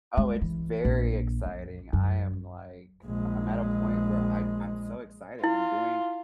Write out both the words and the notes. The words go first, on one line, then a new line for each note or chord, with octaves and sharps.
Oh, it's very exciting. I am, like I'm at a point where I I'm so excited. I'm doing
G#3
E3
A#1
F2
F#2
A#1 G#3
E4 F4